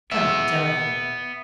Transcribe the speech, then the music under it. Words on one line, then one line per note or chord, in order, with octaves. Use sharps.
Come, tell him.
B3 E5